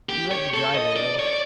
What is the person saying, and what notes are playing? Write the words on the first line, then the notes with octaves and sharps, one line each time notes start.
He let me drive a little.
G4
C#5
A4
D#5
D5
C#5
D5